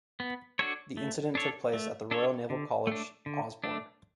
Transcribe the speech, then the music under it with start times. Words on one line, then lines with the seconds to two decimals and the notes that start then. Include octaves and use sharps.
The incident took place at the Royal Naval College, Osborne.
0.20 B3
0.59 D4 F#4 A4 C#5
0.97 A3
1.35 D4 A4 C#5
1.73 A3
2.11 D4 A4 C#5
2.50 D3
2.87 A3 D4
3.26 D3
3.64 A3 D4